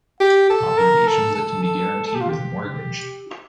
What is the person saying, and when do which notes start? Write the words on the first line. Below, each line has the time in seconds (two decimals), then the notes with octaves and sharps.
Obligations that can be guaranteed with a mortgage.
0.20 G4
0.50 A4
0.77 A#4
1.06 A4
1.35 A4
1.63 A4
2.07 A4
2.15 G4
2.21 F4
2.29 G4